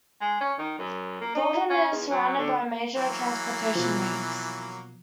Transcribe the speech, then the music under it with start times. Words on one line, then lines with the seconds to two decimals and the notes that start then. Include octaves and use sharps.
Thorndon is surrounded by major transportation links.
0.21 G#3
0.41 C#4
0.58 D#3
0.79 F#2
1.21 A#3
1.35 D#4
1.70 C#4
1.92 E2
2.11 F#3
2.38 D3
2.96 E3 F#3 A#3
3.75 B2 F3